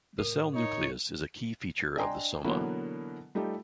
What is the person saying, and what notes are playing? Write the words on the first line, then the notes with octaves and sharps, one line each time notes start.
The cell nucleus is a key feature of the soma.
A2 A#4
D#4 C#5
D4 D#5 G5 G#5 A#5 C6
B2 D3 E3 F#3 A#3 B3
G3 A3 D#4 F4 G4